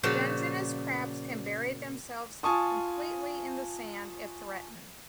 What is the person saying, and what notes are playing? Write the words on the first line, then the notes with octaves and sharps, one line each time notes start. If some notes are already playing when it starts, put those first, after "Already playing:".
Dungeness crabs can bury themselves completely in the sand if threatened.
A#2 C#3 F3 F#4 F5
F4 G#5 A5 C#6 D#6